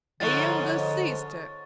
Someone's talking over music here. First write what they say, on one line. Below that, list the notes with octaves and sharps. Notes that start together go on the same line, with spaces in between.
A younger sister!
G#2 D3 F3 C#4 C#6 A6